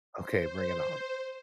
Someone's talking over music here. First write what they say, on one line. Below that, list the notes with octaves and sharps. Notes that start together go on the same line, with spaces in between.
Okay, bring it on.
C5